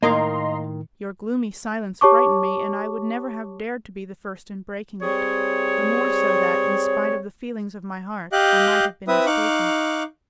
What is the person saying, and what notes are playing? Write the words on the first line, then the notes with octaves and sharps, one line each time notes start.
Your gloomy silence frightened me, and I would never have dared to be the first in breaking it; the more so that, in spite of the feelings of my heart, I might have been mistaken.
A2 D#3 A#3 A#4 D#5 F5 A#5 C6
G4 C#5 A5 C#6 D6
G3 C4 G#4 C#5
G4 D#5 F5 G5 F#6
C4 E4 B4 E5 D#6
D#4 F5 C#6 D6 F#6